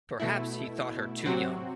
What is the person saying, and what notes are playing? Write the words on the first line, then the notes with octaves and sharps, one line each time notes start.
Perhaps he thought her too young.
B2 A3 E4
C3 F#3 C4 F#4